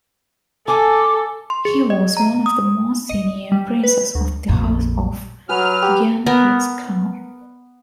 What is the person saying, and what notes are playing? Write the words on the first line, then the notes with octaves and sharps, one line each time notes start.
He was one of the most senior princes of the house of Genghis Khan.
A4 G#5 D6
C6
G#4
D#5
A#5
D#6
D#5
G3
B4
D2
A#1 F2
F#3 G#4 B4 F6
G4
B3 A#4